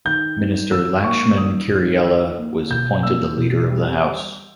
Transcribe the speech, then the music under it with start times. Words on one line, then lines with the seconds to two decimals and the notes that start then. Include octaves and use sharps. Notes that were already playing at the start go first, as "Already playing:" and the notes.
Minister Lakshman Kiriella was appointed the leader of the house.
0.05 D#3 G6
0.38 D#4
0.71 D#3 E6
1.04 A#3 C#6
1.37 D#3 D#6
1.71 D#4
2.04 D#3 E6
2.38 A#3
2.70 B2 G6
3.03 A#3 E6
3.37 B2
3.70 G3